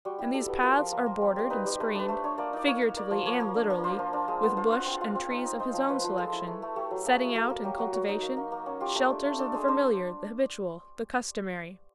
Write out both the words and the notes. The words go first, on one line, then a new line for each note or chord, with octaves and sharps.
And these paths are bordered and screened, figuratively and literally, with bush and trees of his own selection, setting out and cultivation--shelters of the familiar, the habitual, the customary.
G3 F#4
E4 G4
G3 A4
B3
F4 A#4 B4
F3
A#3
A#3
C4
G3 A#4
D#4 B4
G3
A3 B4
D4 B4
A3 C5
D4 C#5
A#3 D5
D#4 D5
A#3 C#5
A#3
A#3 D5
F3
A#3 C#5
A#3
D4
A#3
F4 C5
F3
D4
G#3
B3 C5
F4 C5
F4 F#5
C4
F4 F5
C4
D#4
D#4
D#4 C5
F3
F3 B4
F3
G#3 A4
E4
A3
A3
A3 G4
F#3
A#3 G#4
E4
A#3 A4
A#3
F#3 G4
F#3 F#4
F#3 F#4
D#4
A#3
A#3
A#3
C#4
F4 G4
A3
D4
A3
D4 A4
G#3
D4 C5